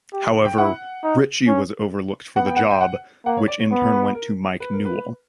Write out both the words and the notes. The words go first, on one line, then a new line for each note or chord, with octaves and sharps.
However Ritchie was overlooked for the job which in turn went to Mike Newell.
G4
G5
E4 F#5
D#4
C#4
B3 F#5
G5
F#5
G5
F#5
A#3 F#5
C#5
D5
C#5
B3
B4
A#4
B4
A#4
B4